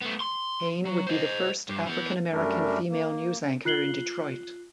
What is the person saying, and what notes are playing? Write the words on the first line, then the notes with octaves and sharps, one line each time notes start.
Payne would be the first African-American female news anchor in Detroit.
A3 B3
C6
F#3
C5 D#5
G2
E3 B3
F#2 G3 A3 D4 A#4
A#3
F4 F#6 C7 F#7 G7